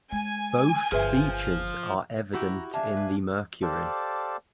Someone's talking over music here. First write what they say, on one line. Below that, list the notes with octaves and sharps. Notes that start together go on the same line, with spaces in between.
Both features are evident in the Mercury.
G#3 G#5
G1 F3 G#4 B4 E5
E4 F#4 G4 A#5
D4 E5 F5 G#5 A5
B4
G4 A4 C5 D5 F5 A5